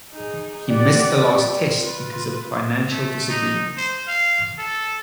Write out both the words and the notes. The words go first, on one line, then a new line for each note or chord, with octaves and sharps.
He missed the last Test because of a financial disagreement.
D#4 G#4
G3 D5 F#5
F3
F4 B4
A3
D#4
C5
F5
A4